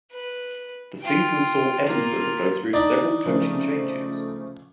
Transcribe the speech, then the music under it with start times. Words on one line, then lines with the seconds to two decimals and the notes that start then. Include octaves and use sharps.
The season saw Evansville go through several coaching changes.
0.11 B4
1.01 F4 G5
1.85 A#3 F4
2.73 D4 D#4 D5
3.25 C#3 F3 A3